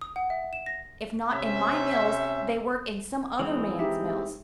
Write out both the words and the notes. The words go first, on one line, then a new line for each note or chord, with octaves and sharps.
If not in my mills, they work in some other man's mills.
D#6
F#5
E5
E7
A#6
C3 C#4 C5 E5
E3 G#3 C4
D#4 G4 E5